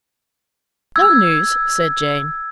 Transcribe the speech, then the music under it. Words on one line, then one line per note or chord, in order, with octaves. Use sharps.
"No news," said Jane.
E6 G#6